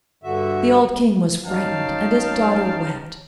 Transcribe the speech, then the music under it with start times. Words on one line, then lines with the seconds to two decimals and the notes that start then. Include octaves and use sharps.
The old King was frightened, and his daughter wept.
0.24 G2 D3 F#4 E5
1.45 F#2 D#4 C#5 F5 G5 A5